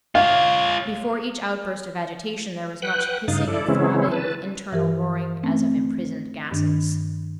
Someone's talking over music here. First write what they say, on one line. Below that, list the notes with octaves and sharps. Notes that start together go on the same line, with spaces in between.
Before each outburst of agitation there was much hissing and throbbing, with internal roaring as of imprisoned gases.
F4 C#5 F5
B4 F#5 G5 F#6
G2 C#3 D#4 F5 D#6 A6
E4 A4 D5
C#3 E3 G#3 C4 C#4 E4
B4 A5
G2 E3 G4 A#4
A3 C4 C#4
G2 D#3 D4